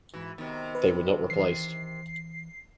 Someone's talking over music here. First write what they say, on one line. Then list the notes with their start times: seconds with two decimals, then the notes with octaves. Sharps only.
They were not replaced.
0.14 G#2 E3 E4 F#4
0.38 C3 D#3 B3 F#4
0.75 B4
1.30 E3 C5 C7